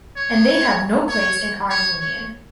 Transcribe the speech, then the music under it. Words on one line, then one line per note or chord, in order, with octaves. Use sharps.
And they have no place in our Union.
C#5
C#5
C#5
C#5